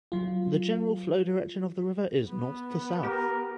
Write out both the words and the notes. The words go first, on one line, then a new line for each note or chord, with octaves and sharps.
The general flow direction of the river is north to south.
F#3 F4
B3
G4 A#4